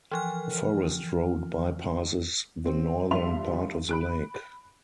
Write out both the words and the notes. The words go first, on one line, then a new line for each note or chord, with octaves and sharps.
A forest road bypasses the northern part of the lake.
E3 F3 F6
C4
G2 F3 G3 E5 C6 F7
B5 F#6 D7